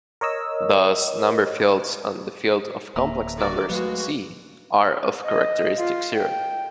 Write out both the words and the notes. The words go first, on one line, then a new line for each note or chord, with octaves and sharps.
Thus, number fields and the field of complex numbers C are of characteristic zero.
A#4 C#5 D#5 E6
D1 A#3 E5 A#5
D#3 F#4 D5
F#3 G#3 A3 F#4 B4 F5
D#5
F4
G5